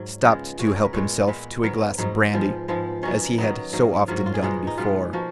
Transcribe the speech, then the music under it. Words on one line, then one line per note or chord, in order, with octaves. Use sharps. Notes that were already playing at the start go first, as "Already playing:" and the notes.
He stopped to help himself to a glass of brandy, as he had so often done before.
Already playing: G#2 F#3
C#3 G#3 B3 F4
C#3 G#3 B3 F#4
G#4
A#4
B4
A#2 G#3 B3 C#5
A#2 G#3 B3 B4
G#2 F#3 B3 A#4
G#2 F#3 B3 D#4
G#2 F3 G#3 B3
G#2 F3 G#3 B3
D#3 F#3 B3 C#4
D#3 F#3 B3 D#4
G#2 F#3 A#3 D#4
G#2 F#3 A#3 F4
F#4
F4
G#4
B2 G#3 B3 D#4
D#4
B2 G#3 B3 F4
F3 A#3 F#4